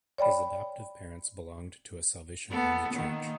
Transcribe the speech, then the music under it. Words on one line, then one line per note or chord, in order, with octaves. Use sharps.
His adoptive parents belonged to a Salvation Army church.
C#5 D5 G5 B5
B3 A4
D#3 A#3